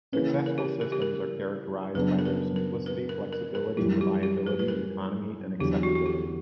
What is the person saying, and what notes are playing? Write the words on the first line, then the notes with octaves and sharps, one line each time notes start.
Successful systems are characterized by their simplicity, flexibility, reliability, economy, and acceptability.
C#3 E3 A#3 C#4 B4
A#4
G4
A#4
G4
A#4
F#2 C#3 F#3 B3 D4 B4
A#4
B4
A#4
B4
A#4
A#4
A#4
F#2 E3 G3 G4
G4
G4
B4
B4
A#4
E2 D3 F#3 G4
F#4
F#4
G4